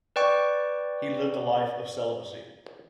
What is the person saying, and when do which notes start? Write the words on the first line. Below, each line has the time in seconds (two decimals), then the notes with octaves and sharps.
He lived a life of celibacy.
0.16 B4 D5 G5 C#6